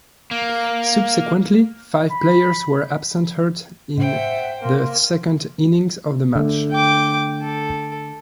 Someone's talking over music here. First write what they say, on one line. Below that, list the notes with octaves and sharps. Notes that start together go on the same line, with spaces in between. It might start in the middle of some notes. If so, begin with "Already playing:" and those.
Subsequently, five players were absent hurt in the second innings of the match.
A#3
B5
A2 C5 E5 F#5 G5
A#3 C6
D3 A3
G5 D6
A4